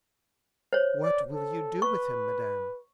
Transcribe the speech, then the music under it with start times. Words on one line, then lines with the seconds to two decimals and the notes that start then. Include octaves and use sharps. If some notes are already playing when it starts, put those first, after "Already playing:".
"What will you do with him, madame?"
0.73 C5 C#5
1.03 D5
1.33 A4
1.82 B4 C#6